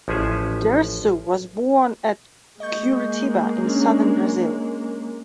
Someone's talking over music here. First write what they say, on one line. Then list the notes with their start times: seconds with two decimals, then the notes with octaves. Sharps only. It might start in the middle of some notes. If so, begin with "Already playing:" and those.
Dirceu was born at Curitiba, in southern Brazil.
0.08 A1 F3 C#4 G#4 E5
2.60 G#3 A#3 D#5 C#6 G6
3.65 C#4 D4 C#5